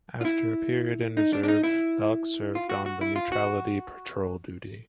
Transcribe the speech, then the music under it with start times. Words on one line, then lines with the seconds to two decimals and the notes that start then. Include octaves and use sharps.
After a period in reserve, "Balch" served on Neutrality Patrol duty.
0.21 F4
0.25 E4
1.17 D#4
1.33 D4
1.43 D4
1.48 D#4
1.63 E4
2.55 F4
2.69 F#4
2.86 F#4
3.01 E4
3.16 F4
3.32 F#4